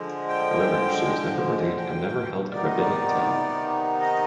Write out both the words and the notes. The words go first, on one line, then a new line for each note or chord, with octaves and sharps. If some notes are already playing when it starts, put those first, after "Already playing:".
However, she was never ordained, and never held a rabbinic title.
Already playing: D3 F3 G#3
G5
G5
C3 D#3 B3 D#4 D5
D#5
D5
D#5